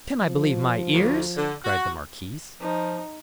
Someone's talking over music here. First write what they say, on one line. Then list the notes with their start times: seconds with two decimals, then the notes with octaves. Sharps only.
"Can I believe my ears?" cried the marquise.
0.23 F3
0.93 D2
1.37 D3
1.65 F#4
2.60 F3 D#4